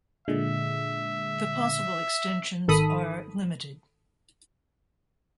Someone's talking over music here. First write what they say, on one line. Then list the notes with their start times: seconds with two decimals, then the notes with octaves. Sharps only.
The possible extensions are limited.
0.28 A#2 D3 G#3 E5
2.68 G#1 D#3 A4 B5 D#6